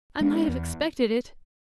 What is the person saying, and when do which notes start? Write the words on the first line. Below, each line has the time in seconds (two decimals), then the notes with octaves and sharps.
I might have expected it.
0.21 G#3 B3 D4
0.48 E2